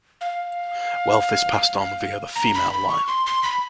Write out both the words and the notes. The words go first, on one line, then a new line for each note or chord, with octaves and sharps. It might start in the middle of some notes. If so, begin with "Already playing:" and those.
Wealth is passed on via the female line.
F5
A#5
B5
B5
C#6
C6
C6
B5